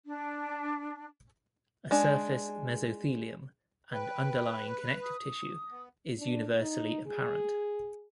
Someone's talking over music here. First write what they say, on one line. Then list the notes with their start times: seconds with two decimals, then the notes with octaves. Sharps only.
A surface mesothelium and underlying connective tissue is universally apparent.
0.06 D4
1.91 G#3 D4
3.93 B4 G5
5.03 D#6
5.71 B3
6.19 D4
6.60 D#4
7.07 G#4